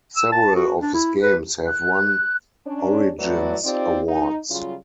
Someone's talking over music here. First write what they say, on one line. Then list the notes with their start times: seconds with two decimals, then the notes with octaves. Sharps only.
Several of his games have won Origins Awards.
0.17 E6
0.32 A5
0.56 F#4
0.81 D4
0.94 E4
1.20 B4
1.65 F#6
2.66 C#4 D4 C#5
3.19 A2 F#3 A3 E4 B4 D5
3.65 C4 D#4 F4 G4 C5 D5
4.09 D#4
4.50 C#3 F#3 G3 F4